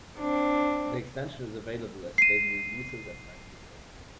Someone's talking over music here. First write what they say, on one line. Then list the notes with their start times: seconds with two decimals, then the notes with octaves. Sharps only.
The extension is available as stable releases and nightly builds.
0.19 C4 D4
2.18 C7 D#7